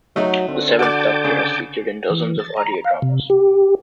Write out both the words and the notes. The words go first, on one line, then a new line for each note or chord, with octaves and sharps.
The Seventh Doctor has featured in dozens of audio dramas.
F#3 A3 D#4 F#4
D3 C4
F#4 D5 G5 A5 D6
C#3
E3
A6
A#5
F5
C3
G4